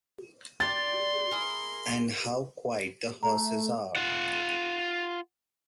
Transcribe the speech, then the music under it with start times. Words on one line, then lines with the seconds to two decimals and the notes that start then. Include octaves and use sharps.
And how quiet the horses are!
0.60 G4 D5 C6 A6
1.31 E4 G#4 A#4
3.23 A3 A#5
3.96 F4 F#5